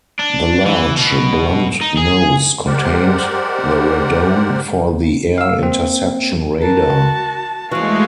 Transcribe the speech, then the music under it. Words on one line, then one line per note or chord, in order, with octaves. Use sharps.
The large, blunt nose contained the radome for the air-interception radar.
D4
E3
B2
D#4
G#4
G#3 G4 A#4 C5 D5 F#5
F5 E6
A#3 C4
F#4 A#4 A5
D#2 E3 G#3 A3 F#4 F5